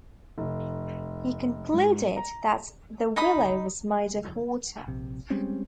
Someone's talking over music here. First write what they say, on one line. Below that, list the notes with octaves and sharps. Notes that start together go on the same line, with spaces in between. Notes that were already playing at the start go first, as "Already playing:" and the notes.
He concluded that the willow was made of water.
F1
G#2
A#5
D#4 D#5 B5 D#6
A#1 C3
G3 G#3 C4 C#4